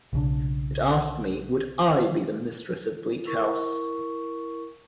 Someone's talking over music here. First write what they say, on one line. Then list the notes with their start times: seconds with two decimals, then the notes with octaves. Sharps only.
It asked me, would I be the mistress of Bleak House.
0.13 B1 C#3 D4
3.25 E4 A#4 C#6